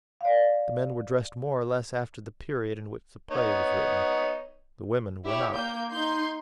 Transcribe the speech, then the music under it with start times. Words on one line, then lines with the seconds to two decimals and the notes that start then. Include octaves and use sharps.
The men were dressed more or less after the period in which the play was written; the women were not.
0.21 D5 F5
3.31 B3 D#4 C#5
5.24 E4 G4 C#5
5.54 A#3 G6
5.91 D#4 C6 G6